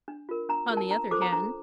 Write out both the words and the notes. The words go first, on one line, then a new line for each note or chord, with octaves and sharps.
On the other hand.
D4
F4 A#4
D4 A#5
F4 A#4
A5
D4 A#5
F4 A4 C5 D6
A#5
D4 A#5